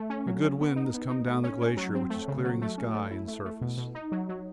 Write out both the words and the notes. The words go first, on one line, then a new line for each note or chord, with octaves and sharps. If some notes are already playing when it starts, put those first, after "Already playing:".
A good wind has come down the glacier which is clearing the sky and surface.
Already playing: A3
C#4
F#3
C#4
B3
D#4
B3
D#4
A3
C#4
C#4
F#3
C4
A3
C#3
F#3
A3
C#4
A3
E4
A3
A3
B2
B2
D#4
F#3
F#3